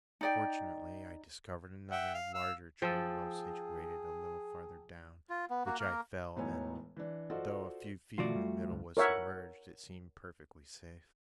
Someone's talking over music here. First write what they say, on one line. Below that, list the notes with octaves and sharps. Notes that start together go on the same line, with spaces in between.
Fortunately, I discovered another larger tree well situated a little farther down, which I felled, and though a few feet in the middle was submerged, it seemed perfectly safe.
D#4 D5 G5
E5 F#5 G5
F5
F5 E6
F3 G#4 G5 A5 E6
F4
B3
A#3 F#4
A#3 A#4
E1 A2 B3 D#4 C#5 G#5
E3 D4
F4 F#4 A4 C5 D5 D#5
B2 D#3 F3 A3 F4 F#4 D5
G3
D2 G2
A#4 C#5 E5 F#5